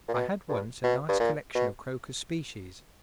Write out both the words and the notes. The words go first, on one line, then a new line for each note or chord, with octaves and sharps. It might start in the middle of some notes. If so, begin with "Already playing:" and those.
I had once a nice collection of Crocus species.
A#2
B2
G2
B2
G2
A#2
B2